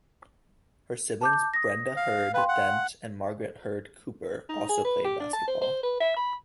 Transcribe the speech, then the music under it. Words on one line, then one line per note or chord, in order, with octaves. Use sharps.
Her siblings Brenda Heard Dent and Margaret Heard Cooper also played basketball.
A5 D6 G6
D#6 A#6
F5
B4 F5 G5 C6
F#5
D#4
G#4
B4
G4
D4
A5
C5
C5
B4
E5
B5